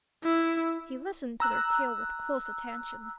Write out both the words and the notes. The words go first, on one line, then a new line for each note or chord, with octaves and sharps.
He listened to their tale with close attention.
E4
A#5 E6 F#6